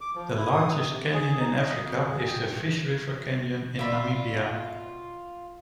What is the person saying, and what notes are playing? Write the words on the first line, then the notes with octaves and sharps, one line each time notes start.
The largest canyon in Africa is the Fish River Canyon in Namibia.
D6
F3
E4
D#6
C3
G#4
D#4
D#5
F2
G#4
G5
G2
B2 F4 D5 E5 B5